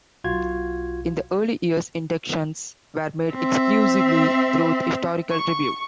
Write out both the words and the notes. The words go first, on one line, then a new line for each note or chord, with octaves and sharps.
In the early years, inductions were made exclusively through historical review.
B1 F4 F#4 G#6
C4 E5
C#6